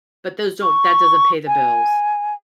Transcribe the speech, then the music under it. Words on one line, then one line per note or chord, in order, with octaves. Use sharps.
but those don't that doesn't pay the bills.
C#6
G#5